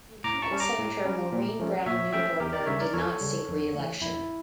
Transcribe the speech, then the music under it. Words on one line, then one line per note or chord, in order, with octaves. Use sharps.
Incumbent Senator Maurine Brown Neuberger did not seek re-election.
A2 A#5 D6
A5 C#6
G3 C#4
A#5 D6
A2
G3 C#4
A#2
F3 A3 C#4
A#2 C#5 E5
F3 A3 C#4 E5 G5
E2 G4 A#4
A#4 D5
C#3 G3 C#4 C#5 E5
A#4 D5
E2 A4 C#5
C#3 G3 C#4
F2
E3 A3
F2 E4